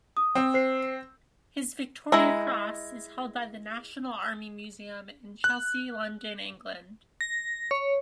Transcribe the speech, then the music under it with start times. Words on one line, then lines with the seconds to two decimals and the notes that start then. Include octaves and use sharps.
His Victoria Cross is held by the National Army Museum in Chelsea, London, England.
0.17 D#6
0.35 C4
0.54 C5 C7
2.12 G#3 E4 A#5
5.44 F#6
7.21 A#6
7.71 C#5